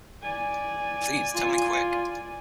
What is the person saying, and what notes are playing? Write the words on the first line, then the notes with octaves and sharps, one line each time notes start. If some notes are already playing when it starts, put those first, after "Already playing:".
Please tell me quick!
D5 G#5
F4